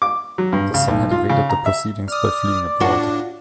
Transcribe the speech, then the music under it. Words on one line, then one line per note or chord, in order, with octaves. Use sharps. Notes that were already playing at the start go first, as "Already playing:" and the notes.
The son had evaded the proceedings by fleeing abroad.
D6
F#3
G2
C#3
B1
F4
C#3
A#5
E5
D5 D#6 F6
A2 D4 F4 F#4